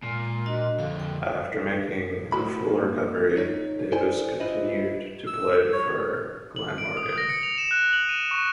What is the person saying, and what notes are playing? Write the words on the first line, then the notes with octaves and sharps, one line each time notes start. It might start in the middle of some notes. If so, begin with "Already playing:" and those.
After making a full recovery, Davis continued to play for Glamorgan.
A#2 G#3
D4 F#4 D#5
F2 D3 F5
G5
A2 E4 F#4 B5
A#3
D#4 C#5
E4 A4 C5 D5 G#5
D4 E4 F4 B4 C5 D#5
E6
C#5
F#7
D7
D#6
A#6
C#7
F7
E7
F#6
F#7
D#7
C#6